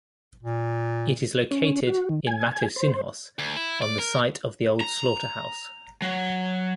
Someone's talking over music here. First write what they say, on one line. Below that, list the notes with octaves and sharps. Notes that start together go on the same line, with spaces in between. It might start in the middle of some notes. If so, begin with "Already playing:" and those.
It is located in Matosinhos on the site of the old slaughterhouse.
A#2
C#4
F#4
D#3
G#5
G#5
C5
D2
E4
D5
A#4
A#5
F#3